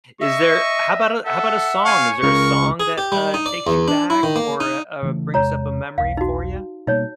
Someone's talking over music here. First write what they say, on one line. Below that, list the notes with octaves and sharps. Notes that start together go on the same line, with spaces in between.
is there how 'bout a how 'bout a song? Is there a song that, uh, takes you back or, u uh, brings up a memory for ya?
D#5 E5 C#6
A4 E5 F#5
C#5 F5 G#5 C#6
C#2 C#3 A#4 C#6 F6
G#4
G4
G3
D#4
D5
E2
D4
E4
D#3
A#3
D#4
C#3 E3 A3
E2 C3 G#3 C#5 A#5
E1 B1 F5
D#4 F#4
B2 G3 A#3 D#4 C#5